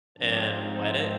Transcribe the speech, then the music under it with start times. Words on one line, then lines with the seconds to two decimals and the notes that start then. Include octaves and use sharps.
and wet it,
0.18 G#2 F3 C4 D4
0.59 D#4